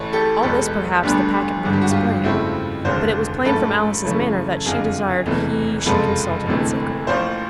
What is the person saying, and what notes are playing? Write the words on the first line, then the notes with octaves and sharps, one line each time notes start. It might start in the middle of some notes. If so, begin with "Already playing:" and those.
All this perhaps the packet might explain; but it was plain from Alice's manner that she desired he should consult it in secret.
Already playing: A1 A2 E3 A3 B4 C#5
G4 A4
E1 E2 B2 G#3 B3 G4 A4
D2 D3 G3 B3 D4
G#1 G2 D3 G#4
G4
F#4
F4 G4
F2 C#3 F3 A3 C4 E4 F#4
F1 D#2 D3 F3 G#3 A#4 C5
A#1 G#2 F3 A3 C#4 A4 B4
F#2 C#3 E3 A3 C#4
F#1 F2 D3 F3 A#3 G#4 A#4
E1 E2 C3 E3 A3
F#1 F2 C3 F3 G#3 A4 B4
E1 D2 C3 E3 A3
A1 A2 F3 A#3 A#4 C5